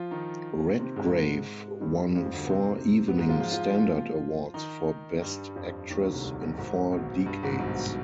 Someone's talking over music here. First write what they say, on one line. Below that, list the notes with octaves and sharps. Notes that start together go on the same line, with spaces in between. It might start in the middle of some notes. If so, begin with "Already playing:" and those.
Redgrave won four Evening Standard Awards for Best Actress in four decades.
Already playing: F3 F4
D#3 D#4
C3 C4
G#2 G#3
G2 G3
F2 F3
D2 D3
B3
C3 C4
B3
G#2 G#3
F3 F4
F3 F4
F3 F4
D#3 D#4
G2 G3
F2 F3
D#2 D#3
D2 D3
C2 C3
C2 C3
B1 B2
G#1 G#2
B1 B2
G2
G#1 G#2
B1 B2